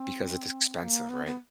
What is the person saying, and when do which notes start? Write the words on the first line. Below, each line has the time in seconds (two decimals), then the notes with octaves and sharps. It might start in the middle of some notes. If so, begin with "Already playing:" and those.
Because it's expensive, right?
Already playing: C4
0.83 A#3
1.09 B3
1.26 B3